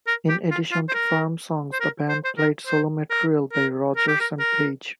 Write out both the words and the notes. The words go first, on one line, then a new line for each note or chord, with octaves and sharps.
In addition to Firm songs, the band played solo material by Rodgers and Page.
A#4
G4
F4
F4
C5
A#4
C5
A#4
C5
C5
A#4
C5
A#4
A#4
A#4
G4
A#4
A#4